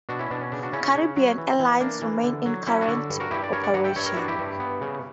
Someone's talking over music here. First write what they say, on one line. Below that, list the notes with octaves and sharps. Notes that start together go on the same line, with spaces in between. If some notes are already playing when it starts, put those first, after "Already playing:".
Caribbean Airlines remains in current operation.
B2 D4 F#4
C#4 E4
B2 D4
C#4
C#3 D4
D4 F#4
C#3 C#4 E4
C#4
C#3
F#3
E3
E3
A#3 D4
E3
D3
F#3
F#3 C#4 E4
D4 F#4
D3
G2
F#4 A#4
G2 E4 G4
D5
G2 A#4 C#5
D5 F#5
G2 F#5 A#5
E5 G5
G2 C#5 E5
A#4 C#5
E4
G2 D4 F#4
E4 G4
G2
B3
C#3